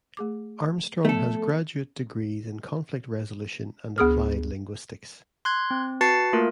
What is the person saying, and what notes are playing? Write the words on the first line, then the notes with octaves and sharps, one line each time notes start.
Armstrong has graduate degrees in Conflict Resolution and Applied Linguistics.
A3 G#4 D6
F3 A3 B3 A4 E5
D2 B3 G#4 D#6 F6
C6 F#6 G#6
C4
F#4 B4 A5 A6 C7 C#7
A3 A#3 F4 A#4